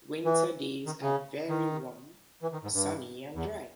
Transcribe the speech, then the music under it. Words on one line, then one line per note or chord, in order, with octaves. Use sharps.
Winter days are very warm, sunny and dry.
E3
D#3
C#3
D#3
E3
D#3
G#2
G2
E2